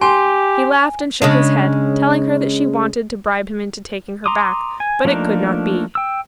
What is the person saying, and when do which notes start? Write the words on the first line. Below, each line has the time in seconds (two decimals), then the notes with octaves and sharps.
He laughed and shook his head, telling her that she wanted to bribe him into taking her back, but it could not be.
0.01 G4 G#5 C6
1.22 C#3 G#3 D4
4.26 A#5 C6 D6 D#6
4.80 G#5
5.05 F3 A3 A#3 D4 D#4
5.95 G5 E6